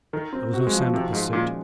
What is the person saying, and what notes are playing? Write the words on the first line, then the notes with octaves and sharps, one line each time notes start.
There was no sound of pursuit.
D#3 A#4
C4
F#4
G#3
F3
C3 D#3
G#2 G#3
A#2 C#4